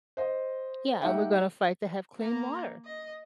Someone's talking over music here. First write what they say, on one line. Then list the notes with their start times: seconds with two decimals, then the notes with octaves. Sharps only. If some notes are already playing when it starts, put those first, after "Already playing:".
Yeah, and we're gonna fight to have clean water,
0.17 C5 D#5
1.01 A3 D#4 G4 E5 F#5 G5
2.19 A#3 A#4
2.85 D#5